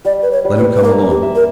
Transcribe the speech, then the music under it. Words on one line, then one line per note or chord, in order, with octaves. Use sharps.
Let him come along.
G3 D5
B4
C#5
G3
B4
B4
A#3 A#4
G4
E5
A#4